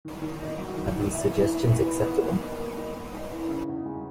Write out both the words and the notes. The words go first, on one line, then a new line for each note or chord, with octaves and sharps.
Are these suggestions acceptable?
D#3
D#3
D#4
F#3
D#3
D#3
E4
E3
E4
E3
B3
B3
A#3
D#4
A#3
D#4
A#3
D#4
E3
C#3
E2
G#3